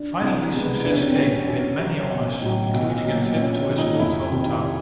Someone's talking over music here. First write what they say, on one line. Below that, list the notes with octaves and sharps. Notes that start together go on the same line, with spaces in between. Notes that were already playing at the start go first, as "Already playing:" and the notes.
Finally success came with many honors, including a trip to his old home town.
Already playing: D4
C2
B2 G#3 B3
E1 D4
C#4
C4
E2 C3 C#4
F#2
C#3 F#3
B1
A2 F#3
B1
A#2 F#3
A#1 C#4
C#4
G#2 D#3
D#4
F1 E4
F2 C3 D#3